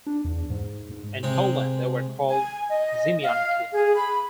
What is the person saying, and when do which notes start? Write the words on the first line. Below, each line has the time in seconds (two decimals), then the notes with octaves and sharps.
In Poland they were called "ziemianki".
0.06 D4
0.25 E2
0.50 G#2
0.91 G#2
1.23 C3 G#3
2.29 G#5
2.69 D#5
3.23 F5
3.74 G#4
3.95 B5